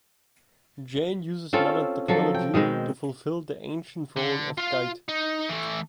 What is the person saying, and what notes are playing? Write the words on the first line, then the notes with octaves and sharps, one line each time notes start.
Jane uses modern technology to fulfill the ancient role of guide.
C4 C#4 F4 A4
F3 F#3 A4
G5
B2 D#3 G#3 C4
D3
F4 F5
D#4
E3 A3